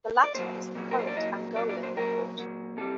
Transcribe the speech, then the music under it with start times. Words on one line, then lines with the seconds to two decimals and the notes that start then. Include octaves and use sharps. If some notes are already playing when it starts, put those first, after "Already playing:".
The latter is the current Angolan record.
0.24 D5
0.35 A#2 F#3 C5
0.75 A#2 F#3
0.91 A#4
0.99 C5
1.07 D5
1.16 A#2 F#3 D#5
1.56 A#2 F#3 D5
1.69 D5
1.83 C5
1.96 A#2 F#3 A#4
2.38 A#2 F#3
2.77 C3 G3 A4